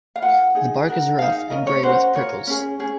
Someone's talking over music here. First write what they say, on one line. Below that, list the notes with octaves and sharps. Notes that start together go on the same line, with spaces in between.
The bark is rough and gray with prickles.
F5
F4 A#4 F#5
D#4 G#4
D#4 F#4 A#4
D#4 G#4 F5
C#4 F4 A#4 D#5
C#5
C#4 F#4 A#4 C5
F4 A#4 C#5
C#4 G#4
C#4 G#4